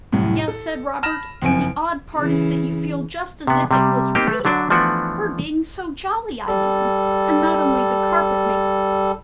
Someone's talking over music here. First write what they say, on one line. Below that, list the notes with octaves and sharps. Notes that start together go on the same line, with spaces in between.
'Yes,' said Robert, 'and the odd part is that you feel just as if it was REAL--her being so jolly, I mean--and not only the carpet making her nice.'
C2 F#2 A2
A4
A5 B5 F6 A#6 E7
F#1 F2 G#5 D7
C#3 E3
C3 B3
C3 G3
A#3 C4 D#4 G4
A3
D3 F#3 D4
E3 F3 A3 B3 D4 F#4
G3 A4